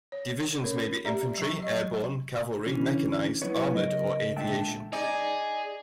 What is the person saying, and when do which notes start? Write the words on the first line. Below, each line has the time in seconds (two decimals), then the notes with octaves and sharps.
Divisions may be infantry, airborne, cavalry, mechanized, armoured or aviation.
0.12 C#5
0.62 C#4 A4 A#4 C#5
1.05 G4 D5 E5 A#5
1.38 F#3 C#6
1.62 D#5
2.66 D3 E3 C#4
3.42 F#3 B3 E4 B4 C#5
3.75 C#3 A#4 D#5
4.36 A#2 D3 G#3 E5 G5 A5
4.93 D#4 G#4 D5